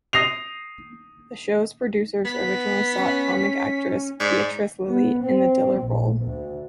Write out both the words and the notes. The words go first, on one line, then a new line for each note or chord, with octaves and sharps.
The show's producers originally sought comic actress Beatrice Lillie in the Diller role.
D#6 A#6 C7 F7
B3 B6
C#4
G#2 D5 B6
B3
C4
A#1
D2